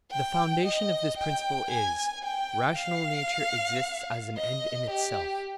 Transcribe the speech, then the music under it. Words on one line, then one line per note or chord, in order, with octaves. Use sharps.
The foundation of this principle is: rational nature exists as an end in itself.
G5
D#5
G5
G#5
G5
F5
D#5
G4